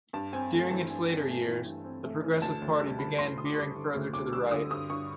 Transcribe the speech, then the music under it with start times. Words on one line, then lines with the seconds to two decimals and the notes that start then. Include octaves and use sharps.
During its later years, the Progressive Party began veering further to the right.
0.13 G2 A5
0.33 C4 G#5
0.52 A3 G#5
0.70 E3 A5
0.90 G2 G#5
1.08 C4 G5
1.28 A3 G#5
1.47 E3
1.65 G2
1.84 C4
2.04 A3
2.24 E3
2.42 D2 A5
2.62 D2
2.81 G3
2.99 D3 B5
3.18 D2 C6
3.37 D2 D#6
3.45 D6
3.53 C#6
3.56 G3 D6
3.76 D3
3.95 D2
4.14 D2 D6
4.32 G3 E6
4.51 D3 D#6
4.70 G2 D#6
4.90 G2 C#6